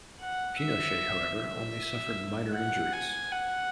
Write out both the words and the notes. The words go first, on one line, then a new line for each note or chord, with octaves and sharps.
Pinochet, however, only suffered minor injuries.
F#5
E5
E5
F#5
G#5
F#5